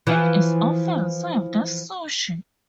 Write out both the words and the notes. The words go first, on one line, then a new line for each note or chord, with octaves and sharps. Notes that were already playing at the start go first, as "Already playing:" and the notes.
It is often served as sushi.
E3 F3